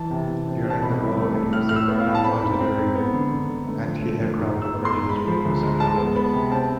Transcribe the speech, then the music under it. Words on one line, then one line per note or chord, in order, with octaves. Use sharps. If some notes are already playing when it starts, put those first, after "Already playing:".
During the War, it was the Royal Artillery's anti-aircraft operations room for central London.
Already playing: E3 A5
C3
C3
C4
C4
A5
B2 B5
C2
A3
A3
A2 F6
A2 F6
E6
B3
F5
A2
A5
C4 B5
G#2
C4
G#2
B3
D3
D3
D3
A3
F3
A3
F3
G#2
G#2
E6
B3
C6
G#2
G#3 B5
F3
D2
G#3
G#3 A5
B3
B3 B5
C3
C4 A5